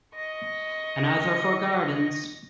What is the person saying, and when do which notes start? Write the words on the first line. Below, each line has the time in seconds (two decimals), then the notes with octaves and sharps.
Another for gardens.
0.15 D#5 C#6